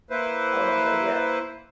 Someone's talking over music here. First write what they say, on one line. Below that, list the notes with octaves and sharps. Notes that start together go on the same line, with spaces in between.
Oh, okay, yeah,
A#3 E4 B4 C5